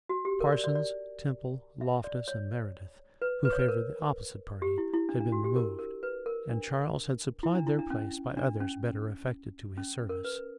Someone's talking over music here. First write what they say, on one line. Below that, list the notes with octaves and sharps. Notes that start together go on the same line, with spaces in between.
Parsons, Temple, Loftus, and Meredith, who favored the opposite party, had been removed; and Charles had supplied their place by others better affected to his service.
F#4
G4
A#4
D5
D5
D5
E5
D5
C#5
B4
B4
C#5
B4
A#4
G4
E4
E4
D4
D4
F#4
G4
A#4
A#4
B4
A#4
D4
E4
D4
E4
D4
C#4
D4
C#4
C#4
A#4
B4